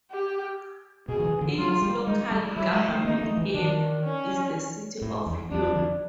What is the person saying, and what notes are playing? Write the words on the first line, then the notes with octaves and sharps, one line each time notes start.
Its local government area is the City of Hume.
G4
B2 G#4
D#3
E3
D3
F#3 F4
G3
G#3 D#4
G3
F#3 E4
G#3
A3
A#3 D#4
A3
E3
D#3 D4
C#4
A2
E2
F2 D4
F2
F2